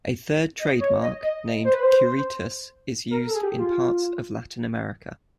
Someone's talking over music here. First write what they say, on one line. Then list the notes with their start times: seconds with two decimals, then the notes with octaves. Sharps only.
A third trademark, named "Curitas", is used in parts of Latin America.
0.59 D#5
0.80 C#5
1.02 D#5
1.23 D#5
1.64 C5
1.74 B4
1.83 C5
3.11 A#4
3.27 A4
3.35 G#4
3.43 G4
3.58 F4